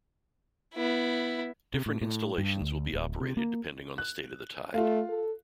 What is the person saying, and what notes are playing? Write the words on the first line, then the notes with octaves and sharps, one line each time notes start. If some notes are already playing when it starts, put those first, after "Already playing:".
Different installations will be operated depending on the state of the tide.
B3 E4
C3
A2
A2
G2
D2
D1
C3
A#3
F#6
A3 F4 F5
A4